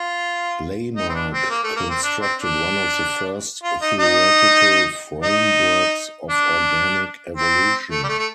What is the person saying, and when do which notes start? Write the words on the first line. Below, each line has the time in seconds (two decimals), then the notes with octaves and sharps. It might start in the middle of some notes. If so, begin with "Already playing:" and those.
Lamarck constructed one of the first theoretical frameworks of organic evolution.
Already playing: F4
0.96 D#4
1.09 C4
1.15 D4
1.33 C4
1.50 A#3
1.64 A3
1.76 A#3
1.90 C4
2.03 D4
2.21 C4
2.39 D4
3.63 F4
3.81 D#4
3.99 D#4
5.23 D#4
6.30 D4
7.37 C4
7.91 A3
8.04 G3
8.08 A3
8.19 A3